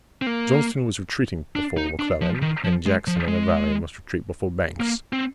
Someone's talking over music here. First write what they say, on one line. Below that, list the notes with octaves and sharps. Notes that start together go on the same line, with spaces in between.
Johnston was retreating before McClellan, and Jackson in the valley must retreat before Banks.
C4
A#3
D4
D#4
D4
F3
D#3
F3
G#3
F3
G#3
A#3
C4